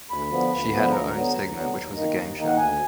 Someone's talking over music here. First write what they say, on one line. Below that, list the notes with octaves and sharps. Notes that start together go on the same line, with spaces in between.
She had her own segment, which was a game show.
D2 B5
D3 F3 B3
D2
D3 F3 B3
D2 A#5
D3 F#3 B3
D2
D3 F#3 B3
D#2
D#3 A#3 D#4
D#2
D#3 A#3 D#4
F#5
D2 G#5